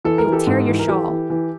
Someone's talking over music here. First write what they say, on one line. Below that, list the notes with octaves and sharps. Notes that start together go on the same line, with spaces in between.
"You'll tear your shawl."
E3 A4
A#4
E3
G4 A4
G#2
E3
A#4
E3 G4 A4
E3
E3